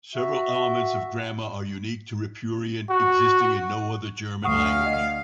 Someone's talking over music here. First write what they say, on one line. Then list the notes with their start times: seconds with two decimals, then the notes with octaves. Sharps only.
Several elements of grammar are unique to Ripuarian, existing in no other German language.
0.15 F#4 E5
2.90 F#4
4.44 D2 F5 F#5 C#6 D#6
4.86 D#5